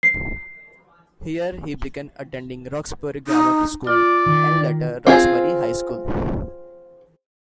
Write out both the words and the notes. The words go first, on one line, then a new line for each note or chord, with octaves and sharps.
Here he began attending Roxbury Grammar School and later Roxbury High School.
C7
D#4
F4 D5
D#3
C4 F4 G#4